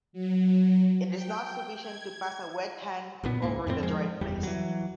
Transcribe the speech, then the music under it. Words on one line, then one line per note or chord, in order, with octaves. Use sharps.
It is not sufficient to pass a wet hand over the dry place.
F#3
G5
G#6
B1 A#2 B3
C#2 G#2 A#3
F2 A2 A#3 C4
F3 G#3
F#1 E2 G3
E3 F#3